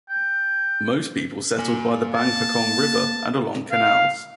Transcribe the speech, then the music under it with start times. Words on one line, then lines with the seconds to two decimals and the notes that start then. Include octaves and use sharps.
Most people settled by the Bang Pakong River and along canals.
0.09 G5
1.58 A#3 G#5
2.14 A5
3.72 F5